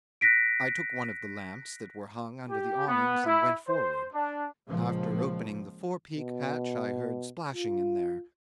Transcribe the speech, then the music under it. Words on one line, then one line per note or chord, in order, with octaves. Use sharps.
I took one of the lamps that were hung under the awnings and went forward. After opening the forepeak hatch I heard splashing in there.
F#6 A#6 B6 D7
G4
B3
E4
C5
D4
C#2 A#2 F3
B2
F4